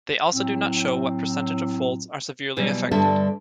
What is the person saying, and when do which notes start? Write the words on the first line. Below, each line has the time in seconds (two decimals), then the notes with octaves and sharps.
They also do not show what percentage of Folds are severely affected.
0.33 A2 F#3 C4
2.57 B2 E3 F#3 G3
2.91 G2 D3 G3 A4 E5 A5